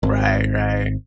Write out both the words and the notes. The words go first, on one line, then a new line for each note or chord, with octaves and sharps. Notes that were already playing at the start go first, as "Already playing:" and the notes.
Right, right.
G#1